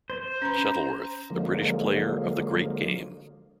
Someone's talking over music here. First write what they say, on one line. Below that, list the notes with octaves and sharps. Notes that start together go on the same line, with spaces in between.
Shuttleworth a British player of The Great Game.
C5
C#4 B4 A#5 B5
C#4
D3 F3 F#3 G#3 A#3